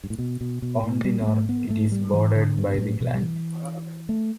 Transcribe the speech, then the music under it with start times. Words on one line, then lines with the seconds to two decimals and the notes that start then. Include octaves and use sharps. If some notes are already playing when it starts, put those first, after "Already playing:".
On the north, it is bordered by the Gland.
0.04 G2
0.10 A2
0.19 B2
0.41 B2
0.62 B2
0.84 A2
1.04 G3
1.21 B3
1.27 A3
1.49 B3
1.70 A3
1.92 G3
2.14 E3
2.35 D3
2.57 G2
2.74 B2
2.78 A2
3.01 B2
3.14 G3
3.21 E3
4.09 A3